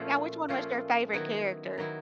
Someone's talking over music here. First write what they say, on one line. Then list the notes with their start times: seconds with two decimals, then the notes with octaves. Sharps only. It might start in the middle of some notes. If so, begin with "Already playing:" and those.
Now which one was your favorite character?
Already playing: A#2 F3 A3 C#4 F4
0.49 A#2 F3 A3 C#4 F4
1.13 D#3 F#3 B3 E4
1.78 D#3 F#3 B3 E4